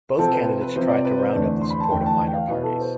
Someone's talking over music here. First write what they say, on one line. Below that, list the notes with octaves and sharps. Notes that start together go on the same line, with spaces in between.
Both candidates tried to round up the support of minor parties.
C3 F3 C4 A4
B4
C5
B4
C3 F3 C4 C5
D5
B4
C5
E2 D3 A3 D4
C6
B5
A5
E2 D3 A3 D4 G5
A5
G5
F5
B2 B3 E4 B4
A4
C5